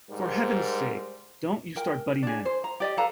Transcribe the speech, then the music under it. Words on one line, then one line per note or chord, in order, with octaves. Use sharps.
For heaven's sake, don't you start butting in.
G#2 G3 A#4 C5
A#4 G5
D4 G#4
C5
A#5
G4 D5 D#5
A4 B4 F5 A#5